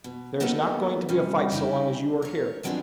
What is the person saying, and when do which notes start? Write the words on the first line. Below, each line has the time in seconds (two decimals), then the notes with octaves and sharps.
"There's not going to be a fight so long as you are here."
0.04 B2
0.40 A#3 B3 D#4 F#4 A4 A#4
1.09 C3 G3 C#4
1.52 C#3 D#4 E4 G4
2.22 A#4 C#5
2.63 F3 F#3 G#3 B3 C4 D4